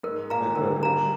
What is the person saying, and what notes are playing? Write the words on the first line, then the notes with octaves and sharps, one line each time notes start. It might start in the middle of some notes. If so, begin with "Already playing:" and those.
and beverage.
G#2 A#4
A#2 F5 A#5
D#3
D3 A#4
G3 F5 A#5